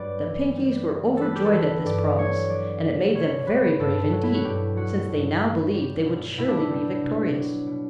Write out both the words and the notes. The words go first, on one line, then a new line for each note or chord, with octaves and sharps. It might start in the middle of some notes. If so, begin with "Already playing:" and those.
The Pinkies were overjoyed at this promise and it made them very brave indeed, since they now believed they would surely be victorious.
Already playing: G2 F#3 G3 B4 D5
E3
G3
E3
G3 A4 B4
G4
A4
E3 B4
G2 D5
F#3 C#5
F#3 D5
C#3
B2 C#5
G3 B4
G2 A4
F#3
E4
F#4
G2 G4
F#3 F#4
G2
F#3
G3
B2
B2 E4
D4
E4
G3
B2
F#3
B2